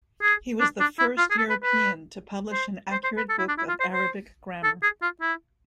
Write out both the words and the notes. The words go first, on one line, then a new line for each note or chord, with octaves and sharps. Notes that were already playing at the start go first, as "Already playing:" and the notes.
He was the first European to publish an accurate book of Arabic grammar.
G#4
D4
D4
E4
F4
G#4
A4
B4
B4
C5
C5
C5
B4
A4
E4
D4
E4
F4
C5
C5
A4
G#4
F4
E4